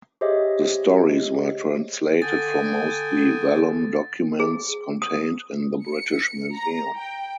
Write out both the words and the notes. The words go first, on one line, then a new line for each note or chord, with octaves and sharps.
The stories were translated from mostly vellum documents contained in the British Museum.
G4 G#4 C5 C#5 D#5 E5
D3 G5 G#5 D#6 A6
G#4
D#6
C#7
A#5
G5